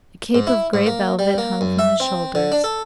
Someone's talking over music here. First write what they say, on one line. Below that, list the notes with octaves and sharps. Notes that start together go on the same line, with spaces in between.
A cape of gray velvet hung from his shoulders.
G#2
E4
G#2
A#3
G3
A#3
F#2
E5
C4
D3
D4
A4